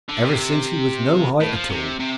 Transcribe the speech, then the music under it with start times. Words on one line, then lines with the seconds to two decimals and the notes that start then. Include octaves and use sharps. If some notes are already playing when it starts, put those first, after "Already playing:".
"Ever since he was--no height at all."
0.09 D3
0.23 C3
1.40 A2
1.54 F3
1.69 C3
2.00 C3